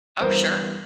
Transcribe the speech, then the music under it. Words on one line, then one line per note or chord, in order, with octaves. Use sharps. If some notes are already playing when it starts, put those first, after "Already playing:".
Oh, sure.
G2 E3 G3 B3 A#4 C5